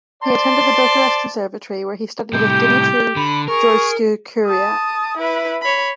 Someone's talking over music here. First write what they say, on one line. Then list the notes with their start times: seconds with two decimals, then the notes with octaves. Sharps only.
He attended the Bucharest Conservatory, where he studied with Dumitru Georgescu-Kiriac.
0.23 C5 D5 A5 C6
2.33 A2 C3 G3 G4 G6
3.16 D3 B5
3.48 G#4 A#4 C#6
4.46 A5 D#6
5.18 E4 B4
5.62 C#5 B5